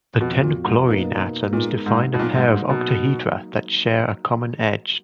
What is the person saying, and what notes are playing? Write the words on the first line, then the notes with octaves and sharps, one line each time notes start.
The ten chlorine atoms define a pair of octahedra that share a common edge.
F2 B2 F3 B3 F#4
A#2
G#2
B2 A#3 D#4
A#2 G#3 B3 D#4 A#4
G#2
B2
A#2 F#3 A#3 D#4
G#2
G#2
B2